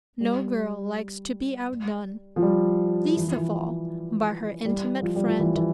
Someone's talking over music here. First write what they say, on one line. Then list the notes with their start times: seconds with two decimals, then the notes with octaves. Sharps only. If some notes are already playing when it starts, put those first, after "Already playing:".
No girl likes to be outdone, least of all by her intimate friend.
0.20 G3
2.36 F3
2.42 G3
3.17 E3
3.26 F3
3.36 E3
4.65 G3
5.02 F3
5.16 G3
5.27 F3
5.39 E3
5.55 E3